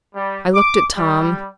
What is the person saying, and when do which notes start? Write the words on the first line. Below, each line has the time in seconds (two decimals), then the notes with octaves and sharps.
I looked at Tom.
0.14 G3
0.53 D6
0.96 G3